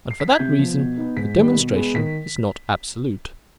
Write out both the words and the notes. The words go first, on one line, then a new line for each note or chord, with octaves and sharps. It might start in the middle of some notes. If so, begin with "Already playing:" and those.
And, for that reason, the demonstration is not absolute.
C7
B6
G#6
C3 G6
F3 B3
B2
B3 D#4
G#2 B6
D#3 G3 B3
B2
G#3 B3
D#3 B6